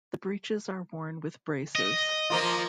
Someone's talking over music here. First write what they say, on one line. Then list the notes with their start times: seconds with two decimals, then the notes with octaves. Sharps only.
The breeches are worn with braces.
1.75 D#5
2.30 F3 A#3 F4